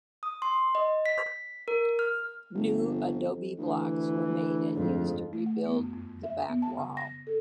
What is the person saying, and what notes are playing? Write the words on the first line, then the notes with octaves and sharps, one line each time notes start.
New adobe blocks were made and used to rebuild the back wall.
D#6
C6
D#5
B6
A#4
F6
G1 F2
D2 E3
F2 G#2
A3
F#5
B3
F#2
F2
E5
B3
A5
C#3
A#6
A4